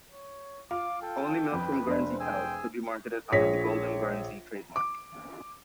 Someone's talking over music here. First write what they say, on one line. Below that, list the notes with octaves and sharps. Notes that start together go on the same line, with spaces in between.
Only milk from Guernsey cows could be marketed under the Golden Guernsey trademark.
C#5
F4 F5 D6
A4 G5
F2 B4
F1 D4 C5 D5
G#4 G5 G#5 E6
A#1 G#4 C#5 A#6 B6
D6